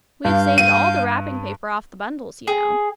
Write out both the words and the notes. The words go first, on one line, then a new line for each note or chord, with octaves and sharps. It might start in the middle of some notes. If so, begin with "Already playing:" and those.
"We have saved all the wrapping paper off the bundles, you know."
G2 F5 G6
D#7
G#4